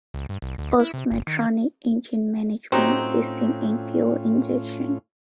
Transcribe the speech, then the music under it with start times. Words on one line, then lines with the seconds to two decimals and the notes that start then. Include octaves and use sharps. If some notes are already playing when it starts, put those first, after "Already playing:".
Bosch Motronic engine management system and fuel injection.
0.14 C#2
0.29 G2
0.42 C2
0.58 D2
0.80 E4
0.94 C3
1.11 G1
1.27 D#3
2.72 A2 F#3 C4 C#4 D#4 F4 G4